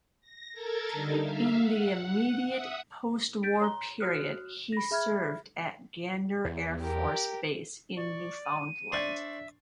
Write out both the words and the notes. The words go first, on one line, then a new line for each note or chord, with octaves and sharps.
In the immediate postwar period, he served at Gander Air Force Base in Newfoundland.
A#6
A4 A#4 A#5 G#6 A6
D3 G3 D#4
E5 F5
F#5
E5 F#5 D#6
G6 A6 B6 D7
C#5 A#5 C6 G7
F#4 C#5 D#6 F6 F#6
B5 A#6
G#4 E5 B5 F6 G#6
E2
G4 A#4
D5 C#6
D#7
D4 C5 D5 E5 C#6